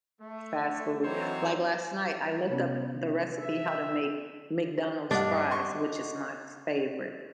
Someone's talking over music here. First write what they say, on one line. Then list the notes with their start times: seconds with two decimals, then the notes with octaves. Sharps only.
fast food, like last night, I looked up the recipe how to make McDonald's fries, which is my favorite.
0.21 A3
1.03 E3 F#3 C4 D#4 C5 C#5
2.49 C3 B3 C#4
3.39 E5
5.11 G2 D4 D#5 F#5
5.51 C6 C#6